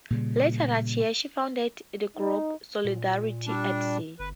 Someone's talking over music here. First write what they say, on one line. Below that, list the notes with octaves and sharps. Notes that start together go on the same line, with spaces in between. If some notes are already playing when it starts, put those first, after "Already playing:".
Later that year she founded the group "Solidarity at Sea".
A#2 C#3 G3
D#4
A#2
G3 D4
G1 B4